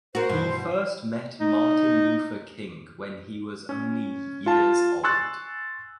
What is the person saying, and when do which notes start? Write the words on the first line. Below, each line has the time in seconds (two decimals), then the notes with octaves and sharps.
He first met Martin Luther King when he was only years old.
0.15 F#4 A#4 C5
0.29 G2 B2
1.40 D#4
3.69 C#4
4.46 F4 A5
5.03 G#5 C6 C#6 E6 F#6 A6